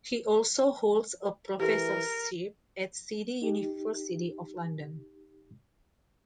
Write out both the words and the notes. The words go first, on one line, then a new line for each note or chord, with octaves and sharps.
He also holds a Professorship at City University of London.
E3 G4 A4 A#4
D#4 G4